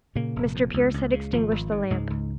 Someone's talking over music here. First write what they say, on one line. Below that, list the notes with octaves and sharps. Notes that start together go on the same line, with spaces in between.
Mr. Pearce had extinguished the lamp.
A#2 C#3 A#3
F1
F2
C#2
C#2
C#3
G#1 F3
G#1
G#2
C#2 G#2 G#3
C#2